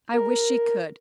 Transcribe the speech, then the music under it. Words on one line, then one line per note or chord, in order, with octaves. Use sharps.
I wish she could.
A#4